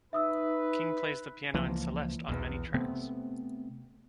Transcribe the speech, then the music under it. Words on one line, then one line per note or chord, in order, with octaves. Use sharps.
King plays the piano and celeste on many tracks.
D#4 B4 E5 D#6 E6
C#2 E3 F3 A#3
B1 E2
C3 A3 B3 C4